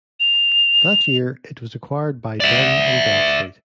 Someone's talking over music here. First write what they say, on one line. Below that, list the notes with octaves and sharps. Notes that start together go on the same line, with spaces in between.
That year, it was acquired by Dun and Bradstreet.
F7
D5 E5